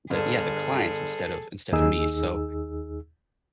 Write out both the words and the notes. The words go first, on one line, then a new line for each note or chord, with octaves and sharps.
the yeah, the clients instead of instead of me, so
G1 G#4 A4
D#2 D#4 G#4 E6